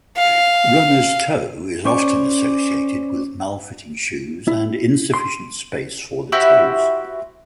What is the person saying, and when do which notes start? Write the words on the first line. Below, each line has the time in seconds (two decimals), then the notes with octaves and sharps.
Runner's toe is often associated with malfitting shoes and insufficient space for the toes.
0.18 F5
1.85 C#4 C5 D5 C#6
4.48 E4
5.14 C6
6.32 E4 F#4 G4 C5